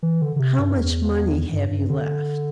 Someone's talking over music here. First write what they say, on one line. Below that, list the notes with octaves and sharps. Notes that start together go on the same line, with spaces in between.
"How much money have you left?"
E3
D3
D3
C3
G2
E2
G2
G2
D3